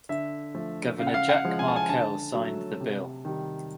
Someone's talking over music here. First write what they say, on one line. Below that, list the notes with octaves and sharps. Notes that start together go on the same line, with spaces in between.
Governor Jack Markell signed the bill.
D3 E5
F3 A3
C#3 F5
F#5
F5
F#5
F3 G#3
G#5
A5
G#5
D3 A5
F#3 A3
C3
D#3 G3